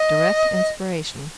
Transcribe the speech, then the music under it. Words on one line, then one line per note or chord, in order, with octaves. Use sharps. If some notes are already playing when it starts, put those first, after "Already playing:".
"Direct inspiration."
Already playing: D#5